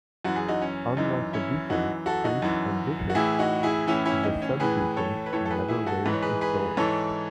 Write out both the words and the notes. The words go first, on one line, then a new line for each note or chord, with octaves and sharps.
Unlike the deacon, priest, and bishop, the subdeacon never wears a stole.
F#2 E3 F#4
G#4
D#4 F#4
C#4
F#2 E3 D#4
C#4 E4
F#2 E3 D#4 F#4
F#4 A4
D#4 F#4
F#2 E3
F#4
A2 E3 E4 G#4
D#4 F#4
E4 G#4
A2 E3 C#4 E4
C#4 E4
D#4
C#4
A2 E3 G#4 B4
A4 C#5
B4
A2 E3 A4 C#5
A4
G#4 B4
E4 G#4
F#4 A4
G#2 E3 B4
C#5
G#4 B4
G#4 B4
G#2 E3 A4 C#5